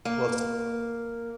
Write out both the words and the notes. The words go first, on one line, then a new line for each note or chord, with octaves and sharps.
Well, s
A#3